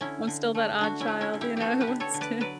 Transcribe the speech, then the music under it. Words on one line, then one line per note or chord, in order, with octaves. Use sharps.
I'm still that odd child, you know, who wants to
D3 C#4 E4
D3
A3
D3 D4 F#4
C#4 E4
A3
C#4 E4
D3
E4 G4
B3 F#4 G4 A4
G4 B4
D3
A4 C#5
D3
B4 D5
F#3 B4 D5